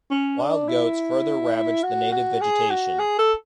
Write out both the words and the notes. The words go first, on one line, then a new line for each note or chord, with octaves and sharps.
Wild goats further ravaged the native vegetation.
C#4
D4
E4
F#4
F#4
G#4
F#4
G#4
A4